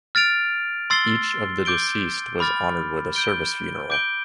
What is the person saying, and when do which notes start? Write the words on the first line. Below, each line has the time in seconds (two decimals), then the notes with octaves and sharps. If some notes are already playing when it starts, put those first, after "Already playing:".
Each of the deceased was honoured with a Service funeral.
0.15 F6 A6 D7 F7
0.90 C6 E6 A6 C7 G7
1.65 D6 G6 D7 G7
2.40 B5 D6 F6 A6
3.15 G6 D7 G7
3.90 D6 G6 D7 G7